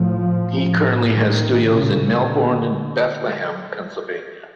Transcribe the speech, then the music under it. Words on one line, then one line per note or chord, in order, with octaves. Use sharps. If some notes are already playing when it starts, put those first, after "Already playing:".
He currently has studios in Melbourne and Bethlehem, Pennsylvania.
Already playing: A2 F3
A2
D#3
A#2 C#3
D3